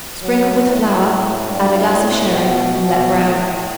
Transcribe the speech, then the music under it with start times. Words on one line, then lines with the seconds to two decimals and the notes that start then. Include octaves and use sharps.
Sprinkle with flour; add a glass of sherry and let brown.
0.23 F#3
0.65 A2
1.49 G2
1.90 A2
2.32 B2
2.74 B2
3.17 A2